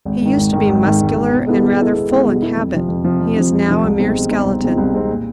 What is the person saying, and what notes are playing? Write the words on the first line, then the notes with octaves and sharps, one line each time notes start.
He used to be muscular and rather full in habit; he is now a mere skeleton.
G#1
G#2 D#3
G#1
G#2 D#3
G#1
G#2 D#3
G#1
G#2 D#3
B2
G#3 B3 E4 A4
B2
G#3 B3 E4 A4
B2
G#3 B3 E4 A4
B2
G#3 B3 E4 A4
F2
C3 F3
F2
C3 F3
F2
C3 F3
F2
C3 F3
C2
B2 G#3 C4 D#4
C2
B2 G#3 C4 D#4
C2
B2 G#3 C4 D#4
C2
B2 G#3 C4 D#4
A#2